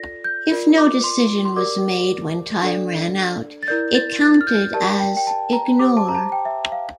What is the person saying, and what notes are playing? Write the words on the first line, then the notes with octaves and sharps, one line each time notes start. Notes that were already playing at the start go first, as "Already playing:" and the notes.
If no decision was made when time ran out, it counted as "Ignore".
Already playing: F4 A4 D5 A#6
G6
F4 A#4 D5
D6
C6
C6
G4 A#4 D5 D6
D4 A4 D5
A6
E4 A#4 D5 G6
A6
A6
F6
G6
G4 A#4 D5 A5
G5
G5
A5
A#5
G4 C5 D6
A5
A#5
A5
G5
E5
F5